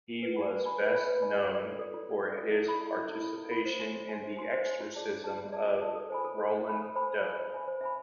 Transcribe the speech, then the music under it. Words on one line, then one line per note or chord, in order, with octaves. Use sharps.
He was best known for his participation in the Exorcism of Roland Doe.
B4
D5 G#5 B5
B4
D5 G#5 B5
B4
D5 G#5 B5
B4
D5 G#5 B5
F4
A4 D5
F4
A4 D5
F4
A4 D5
F4
A4 D5
E4
A4 E5 B5
E4
A4 E5 B5
E4
A4 E5 B5
E4
A4 E5 B5
C5
G#5 C6
C5
G#5 C6
C5
G#5 C6
C5
G#5
C6
F4
G#4 D5 A5
F4
G#4 D5 A5
F4
G#4 D5 A5
F4
G#4 D5 A5
A4
C5 G#5 B5
A4
C5 G#5 B5
A4
C5 G#5 B5
A4
C5 G#5 B5
C5
E5 G#5 B5
C5
E5 G#5 B5
C5
E5 G#5 B5